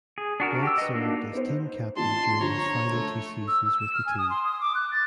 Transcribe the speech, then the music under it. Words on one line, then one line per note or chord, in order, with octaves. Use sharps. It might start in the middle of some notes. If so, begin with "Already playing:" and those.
White served as team captain during his final two seasons with the team.
G#4
D4 F#4 A#4
G4 E6
B4 D#5
A#3 D4 D#4 F#4
B3 D#4 C5
A1 A#2 A5 C6
D3 F3 C#5 A#5
A3
E6
E6
E7
F6
G#5
D#6
C6
D#6
D6
F#6
A6